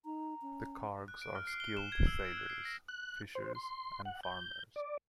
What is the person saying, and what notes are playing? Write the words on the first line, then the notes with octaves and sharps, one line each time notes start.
The Kargs are skilled sailors, fishers and farmers.
D#4 A#5
C#4
F#6
D7
F6
C7
G7
E7
G#6
E6
D7
F#6
C7
A#6
F#6
C5
C6
F#5
G6
D5